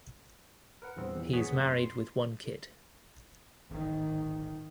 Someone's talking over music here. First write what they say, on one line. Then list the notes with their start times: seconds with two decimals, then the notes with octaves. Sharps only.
He is married with one kid.
0.82 A#4 B4 F#5
0.96 E2 G2 A#2 B3 C4
1.16 E2
1.33 A#1 B3 G#4 C#5 F#5 B6
1.51 F#2 A3
1.70 C6
3.70 D1 G#1 A#2 D#3